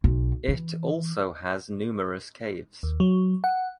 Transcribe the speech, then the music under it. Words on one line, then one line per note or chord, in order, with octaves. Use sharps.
It also has numerous caves.
B1
E3
D#2
F#3
F#5